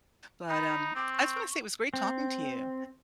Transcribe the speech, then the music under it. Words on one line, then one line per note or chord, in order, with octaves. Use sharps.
But, um, I just wanna say it was great talking to you,
D#4 B5
C4 D6
C#6
C4